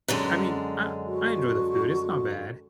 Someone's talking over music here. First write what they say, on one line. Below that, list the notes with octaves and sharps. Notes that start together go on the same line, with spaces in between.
I mean, I I enjoy the food, it's not bad,
F#2 D3 G#3
F#4